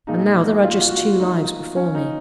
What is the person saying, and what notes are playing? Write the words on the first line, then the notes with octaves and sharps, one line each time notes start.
And now there are just two lives before me.
A#2 F3 G#3 D#4
F4
F#4
F4
F#4
F4
D#4
C#4
D#4